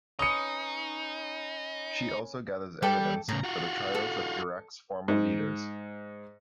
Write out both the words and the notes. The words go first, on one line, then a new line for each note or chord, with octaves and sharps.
She also gathers evidence for the trials of Iraq's former leaders.
C#4 D#4 B4 D#6 C#7
G3 A4 G5 D6
A2 C#3 A#5
F4 F#4
A4
G#2